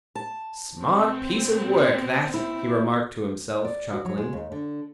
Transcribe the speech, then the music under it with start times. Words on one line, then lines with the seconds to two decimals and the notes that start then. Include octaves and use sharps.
'Smart piece of work that!' he remarked to himself chuckling.
0.15 A5
0.79 B2 B3 C4
2.34 E4
3.65 D5
3.93 F#4
4.05 F#3
4.18 G#3
4.33 D#2
4.52 D3